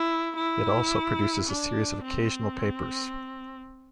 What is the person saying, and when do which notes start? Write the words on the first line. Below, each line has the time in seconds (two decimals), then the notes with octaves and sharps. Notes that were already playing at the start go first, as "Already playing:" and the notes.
It also produces a series of occasional papers.
Already playing: E4
0.36 E4
1.47 D4
2.03 C4